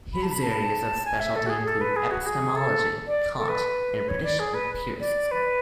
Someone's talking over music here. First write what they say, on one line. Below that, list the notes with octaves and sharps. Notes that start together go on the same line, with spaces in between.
His areas of specialty include epistemology, Kant, and British empiricism.
B5
A5
B5
A5
G#5
E5
A4
F#4
G#4
A4
B4
G#4
F#4
G#4
A4
D5
A4
B4
C#5
D5
G#4
B4
D5
B4